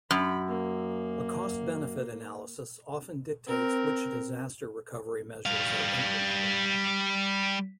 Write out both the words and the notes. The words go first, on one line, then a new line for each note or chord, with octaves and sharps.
A cost-benefit analysis often dictates which disaster recovery measures are implemented.
F#2 B5
A#3
C4 A#4
G3 F5